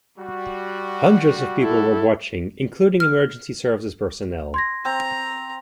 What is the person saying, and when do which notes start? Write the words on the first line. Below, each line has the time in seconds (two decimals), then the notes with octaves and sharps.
Hundreds of people were watching, including emergency services personnel.
0.18 G3 F#4
1.61 E4 A4
3.00 F6
4.54 C6 G#6 A#6
4.85 C4 A#5